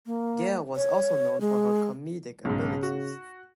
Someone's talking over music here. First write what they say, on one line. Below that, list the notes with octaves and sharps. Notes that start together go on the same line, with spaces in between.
Gail was also known for her comedic abilities.
A#3
C#5
G#3
B1 G#2 C#3
F#4